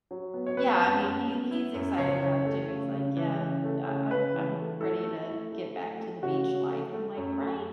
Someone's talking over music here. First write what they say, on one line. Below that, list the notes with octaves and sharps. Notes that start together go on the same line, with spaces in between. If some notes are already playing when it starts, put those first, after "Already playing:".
yeah, I mean, he he's excited about it too, he's like, "Yeah. I I I'm I'm ready to get back to the beach life," I'm like, "Right?"
F#3
B3
C#5
B3 B4
F#2
F#2
B3
E4
F#2
C#2 C#5
C#3
A3
C#3
C#3
E3
C#3
A3
C#3
C#3 B4
E3
A3
E4 A4
A3
E4
A3
A3
A3
C#3 F#4
C#3
A3
A3
F#2
A3